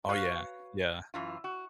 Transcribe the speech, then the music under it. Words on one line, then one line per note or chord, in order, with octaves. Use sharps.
Oh, yeah. Yeah.
F#4 B4 C#5 F5
F#2 E3 F4
F#4